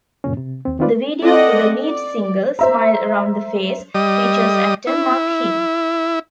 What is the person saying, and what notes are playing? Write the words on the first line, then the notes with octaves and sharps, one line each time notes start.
The video for the lead single, "Smile Around the Face", features actor Mark Heap.
F#2 A#2 C#3 C#4
C3
D#2 C4
D#3 C4 D#4 F4 B4 D5
C4 A4 D5 D#5 F#5
D5
C5 E5 A#5
G3 D#5
E4